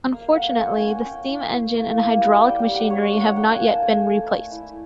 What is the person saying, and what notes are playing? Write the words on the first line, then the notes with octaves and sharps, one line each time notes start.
Unfortunately, the steam engine and hydraulic machinery have not yet been replaced.
A#3 F5
A#3 F#5
C#4 G5
G#5
A#3
F#5
C#4 G5
E4
A#3
A#3
A#3
G3
G3 G5
G5
G3
F#5
G3 C#5
D4
F#5
A#3 G5
G#5
A#3
A5
A3 G#5
A3
A3
E4